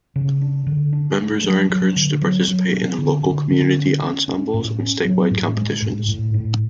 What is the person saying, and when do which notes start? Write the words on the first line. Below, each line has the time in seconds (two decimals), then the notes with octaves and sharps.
Members are encouraged to participate in local community ensembles and statewide competitions.
0.16 C#3
0.42 D4
0.67 D3
0.93 D4
1.18 A3
1.44 F#3
1.70 F#3
1.96 D3
2.22 F#3
2.48 F#3
2.74 C#4
2.98 D3
3.25 D3
3.51 D3
3.76 C#4
4.02 C#4
4.28 C#4
4.54 A2
4.80 C#4
5.05 F#3
5.31 A2
5.57 G#3
5.82 A2
6.08 A2
6.34 A2